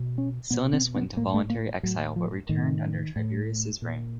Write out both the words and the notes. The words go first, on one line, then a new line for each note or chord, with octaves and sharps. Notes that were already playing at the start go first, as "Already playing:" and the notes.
Silanus went into voluntary exile, but returned under Tiberius' reign.
Already playing: B2
C#4
B2 B3
C4
B3
A2 A#3
A3
A#3
A2 F#3
F3
A2 D#3
A2
A#2